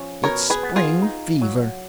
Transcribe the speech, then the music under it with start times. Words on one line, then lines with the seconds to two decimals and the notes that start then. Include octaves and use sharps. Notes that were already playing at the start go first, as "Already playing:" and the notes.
It's spring fever.
Already playing: F3 C#4
0.24 B2 A#4 C#5
0.50 G#4 B4
0.63 B3
0.76 F4 G#4
1.02 D#4
1.41 F#3